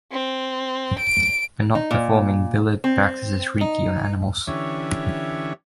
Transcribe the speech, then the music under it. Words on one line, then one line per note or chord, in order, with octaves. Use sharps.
When not performing, Billard practices reiki on animals.
C4
D7
D#4
A#2
C4
D#4
D3 E3 C#4 G4 C#5 E5